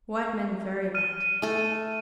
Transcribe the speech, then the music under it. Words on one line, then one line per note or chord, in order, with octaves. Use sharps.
White man very bad.
F6 D#7
A3 A4